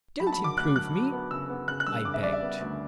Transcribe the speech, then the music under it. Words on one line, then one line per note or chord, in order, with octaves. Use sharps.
"Don't improve me," I begged.
F#3 B5
A5
B5
F#3
D6
D2 F#6
F#3 F#6
F#3
B3
C#3 E6
B3
C#3 F#6
F#6
G3 E6
C#3 D6
E5
G3 D5
E5
B3
D2